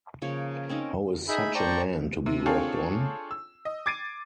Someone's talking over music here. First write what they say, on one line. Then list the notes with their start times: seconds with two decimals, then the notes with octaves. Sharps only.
How is such a man to be worked on?
0.22 C#3 F3 A#3 C#5
0.69 C4 C#4 D#4 A#4
1.28 D#4 G#4 E5 B5
1.55 C5 D5 G5 A5 A#5 C#6
2.26 C3
2.46 C4 D4 F4 G#4 A4 C#5
3.31 E6
3.65 D#5
3.86 D6 G#6 A6 C7 D7 D#7